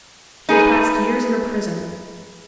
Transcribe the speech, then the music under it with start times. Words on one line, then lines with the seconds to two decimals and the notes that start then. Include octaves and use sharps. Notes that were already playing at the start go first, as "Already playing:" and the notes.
He had passed years in a prison.
0.49 D#4 G#4 B4